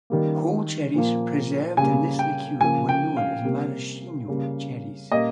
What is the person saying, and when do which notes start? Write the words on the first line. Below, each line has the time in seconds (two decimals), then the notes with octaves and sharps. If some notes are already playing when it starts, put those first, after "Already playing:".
Whole cherries preserved in this liqueur were known as maraschino cherries.
0.10 D#3 G3 A#3
0.94 A#2 F3 A#3
1.77 C#3 G3 A#3 G#5
2.19 G5
2.61 C#3 F3 A#3 G#5
2.89 G5
3.17 F5
3.45 C3 G3 A#3
4.28 C#3 G3 A#3
5.11 A#2 G3 A#3 D#5